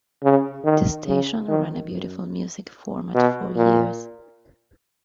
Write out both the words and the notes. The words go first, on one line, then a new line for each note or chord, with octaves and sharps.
The station ran a "beautiful music" format for years.
C#3
D#3
C#3
D#3
F#2
B2
A#2